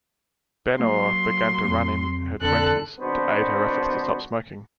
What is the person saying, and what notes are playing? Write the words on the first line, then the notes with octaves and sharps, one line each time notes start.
Benöhr began to run in her twenties, to aid her efforts to stop smoking.
F#3 A#3 C6
F2
F2 D3 A4 F#6
G#1 B2 B3 D4 F#4 C5